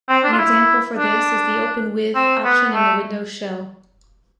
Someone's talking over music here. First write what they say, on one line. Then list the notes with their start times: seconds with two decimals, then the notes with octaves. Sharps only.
An example for this is the "Open With" option in the Windows Shell.
0.08 C4
0.24 D4
0.32 F4
0.38 E4
0.97 D4
2.15 C4
2.44 B3
2.74 A3